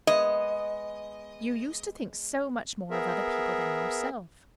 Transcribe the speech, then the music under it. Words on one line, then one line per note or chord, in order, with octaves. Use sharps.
"You used to think so much more of other people than yourself."
G#3 B3 G#4 D#5
B3 G#4 A#4 E5